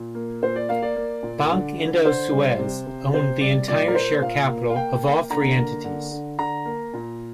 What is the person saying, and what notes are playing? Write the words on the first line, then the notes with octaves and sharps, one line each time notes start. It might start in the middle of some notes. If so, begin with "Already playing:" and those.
Banque Indosuez owned the entire share capital of all three entities.
Already playing: A#2
A#3
A#2 C5
D5
A#3 F5
D5
A#3
A#2
D3
D3
D3 C5
G3
C3
C3
C3 C5
G3 D5
A#2 D5
A#4
A#3 C5
A#2 F5
A#3
F5
A#3 G5
A#3
D3 A#5
A#3
D3
D3
D3 A#5
A#3
A#2